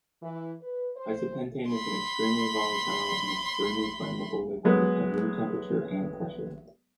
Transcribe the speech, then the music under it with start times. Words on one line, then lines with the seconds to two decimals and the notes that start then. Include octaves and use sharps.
Isopentane is an extremely volatile and extremely flammable liquid at room temperature and pressure.
0.22 E3
0.61 B4
0.96 C5
1.69 B5 C6
4.65 F#3 G#3 B3